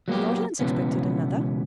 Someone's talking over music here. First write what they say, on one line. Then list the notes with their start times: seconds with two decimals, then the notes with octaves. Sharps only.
The audience expected another.
0.08 F#3 A#3 B3 G4
0.59 C#2 G2 B2 E3 B3 C#4